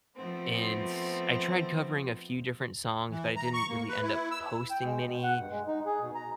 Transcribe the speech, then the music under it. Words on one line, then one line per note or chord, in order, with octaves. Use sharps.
and I tried covering a few different songs, but I didn't really end up posting many.
F3 A3 B3 C4
E3
A#5
C#6
A#3
B4
E4
E6
G5
G#3
B2
F#5
G2
G#3
D#4
G#4
B2
A#5